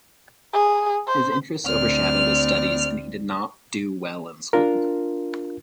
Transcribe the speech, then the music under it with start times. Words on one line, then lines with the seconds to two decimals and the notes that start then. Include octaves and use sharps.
His interests overshadowed his studies and he did not do well in school.
0.53 G#4
1.07 C5
1.66 D2 C4 D5 F6
4.53 D4 F4 A#4